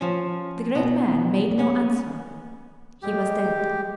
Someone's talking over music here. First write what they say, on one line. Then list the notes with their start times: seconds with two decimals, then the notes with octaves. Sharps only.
The great man made no answer; he was dead.
0.01 F3 C#4
0.75 B2 B3
1.59 C#4
3.02 G#3 A3 G4